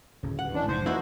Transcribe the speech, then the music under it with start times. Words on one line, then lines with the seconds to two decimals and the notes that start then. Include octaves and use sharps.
So, I mean,
0.23 D1 C#3
0.39 F#5
0.54 E3 C#4 D4
0.68 F1 F2 G#2 C5
0.86 F3 A#3 D#4 E4 F#4 C5